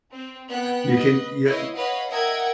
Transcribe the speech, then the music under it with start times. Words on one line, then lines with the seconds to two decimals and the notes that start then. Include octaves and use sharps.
you can, you know y
0.11 C4
0.48 B3 G5 F#6
0.90 B4 D#5
1.46 E4 B4 C#5 D#5 F5
1.75 B4 C#5 D#5 F5 F#5 B5
2.09 A#4 D#5 E5 F#5 G5 G#6